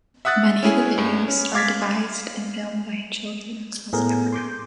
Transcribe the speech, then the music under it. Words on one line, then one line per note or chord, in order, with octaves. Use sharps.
Many of the videos are devised and filmed by children across Africa.
E5 F#5 D#6 F#6 A6
C#4 E4 G#4 G#5
G2
C#4
F5 D6 G#6 A6 B6
A2 B3 G#4 A#4
C6 D6 G6